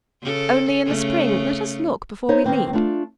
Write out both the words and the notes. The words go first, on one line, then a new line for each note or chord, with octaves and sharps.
Only, in the spring, let us look before we leap.
C#3 A4
C#3 A3 C#4
D#4 C5 C#5 E5
D#3 A#3 C4 B4
A3 D4 F4